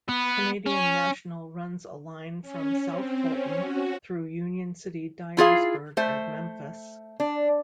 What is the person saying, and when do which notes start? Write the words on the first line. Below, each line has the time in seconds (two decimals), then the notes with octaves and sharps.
Canadian National runs a line from South Fulton, through Union City, Dyersburg and Memphis.
0.09 B3
0.67 C#4
2.42 C#4
2.87 C4
3.27 C#4
3.59 F#4
5.37 E4 F4 G#4 F5
5.97 A3 C5 E5
7.20 D4